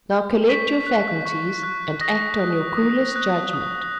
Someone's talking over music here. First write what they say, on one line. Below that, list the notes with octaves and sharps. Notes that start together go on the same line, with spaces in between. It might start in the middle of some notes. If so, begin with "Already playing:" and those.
Now collect your faculties and act on your coolest judgment.
G6
C#6 B6
F#6
C#6
F#6
D#6 A#6
F#6
D#6
F#6
D#6